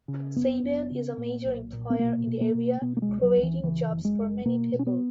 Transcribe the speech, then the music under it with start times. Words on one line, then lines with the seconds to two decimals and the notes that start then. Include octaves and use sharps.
Sabian is a major employer in the area, creating jobs for many people.
0.08 C#3
0.36 F#1 B3
0.63 F#1
0.91 C#3
1.17 A#2
1.45 B1
1.73 A#2
1.90 B3
1.99 B2 A#3
2.27 B2
2.41 A#3
2.54 B2
2.81 B2 B3
2.97 A#3
3.02 G#3
3.09 C#2
3.22 F#3
3.37 C#2
3.43 E3
3.63 C#3 E3
3.91 F#1
4.05 G#3
4.18 F#1
4.45 B2 A#3
4.73 B2
4.79 C#4
4.87 B3